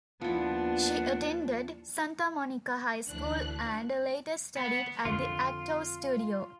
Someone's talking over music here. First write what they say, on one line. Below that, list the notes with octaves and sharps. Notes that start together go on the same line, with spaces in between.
She attended Santa Monica High School and later studied at the Actors Studio.
D#2 F3 B3 D4 E4
D2 E3 D4 F#6
B3
F2 D3 F4